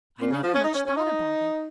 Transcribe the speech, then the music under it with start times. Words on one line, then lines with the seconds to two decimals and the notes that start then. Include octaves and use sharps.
I never much thought about it.
0.20 A#2
0.31 C#3
0.42 F3
0.53 C#4
0.64 D#4
0.74 C#4
0.85 C#4
0.96 D#4